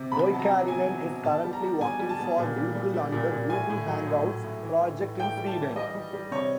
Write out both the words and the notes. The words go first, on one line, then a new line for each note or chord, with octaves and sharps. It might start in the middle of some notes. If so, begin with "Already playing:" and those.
Oikarinen is currently working for Google on the Google Hangouts project in Sweden.
Already playing: C3
B2 B5
F#3 A5
A#5
F#3
B2 G#5
F#3
B2
B2 A5
G3
A#5
G3
B2 G#5
G3
A5
B2
A#2
G3
G3
G3
A#2
A#2
A2 G#5
A2
F#3
A2
A2
A2
E3
A2
A2
A2 G5
G3
A5
E3
G3 D#5
G3
G3
C3 C#5